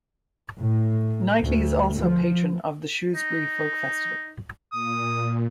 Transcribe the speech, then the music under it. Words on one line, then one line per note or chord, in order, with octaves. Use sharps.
Knightley is also patron of the Shrewsbury Folk Festival.
A2
D2
F3
D#4
A#2 D#6